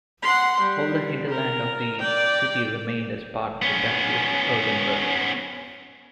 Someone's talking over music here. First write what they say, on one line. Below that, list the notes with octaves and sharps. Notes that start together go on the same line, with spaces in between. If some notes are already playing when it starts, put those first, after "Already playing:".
All the hinterland of the city remained as part of the Duchy of Oldenburg.
F#5 C6
G3
A#4
D5 G5
B3 C#4